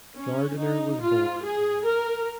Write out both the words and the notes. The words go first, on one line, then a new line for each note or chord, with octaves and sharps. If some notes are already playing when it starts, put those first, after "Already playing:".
Gardiner was born in England.
C#4
D#4
F4
G#4
A#4